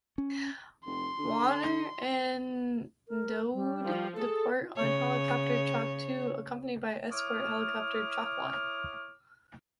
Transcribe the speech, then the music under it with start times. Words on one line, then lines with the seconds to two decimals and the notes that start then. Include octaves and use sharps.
Warner and Daoud depart on helicopter "Chalk Two" accompanied by escort helicopter "Chalk One".
0.18 C#4
0.86 F1 C6
1.19 D3
3.08 A#4
3.54 G3
3.85 F3
4.17 G#4 A4
4.76 C#3 C#5
7.12 E4 C#5 D6 D#6 F6